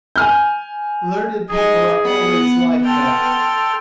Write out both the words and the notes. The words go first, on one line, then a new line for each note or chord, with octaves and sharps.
Learned people are always like that.
G#5 F6 G6
D#4 G#4 G#5
B3 F#5
A4 G5 C6 F6